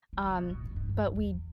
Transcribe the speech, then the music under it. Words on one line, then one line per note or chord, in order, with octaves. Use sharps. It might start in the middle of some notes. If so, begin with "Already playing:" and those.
um, but we
E3
C#3
B2
A2
G2
G2
E2
E2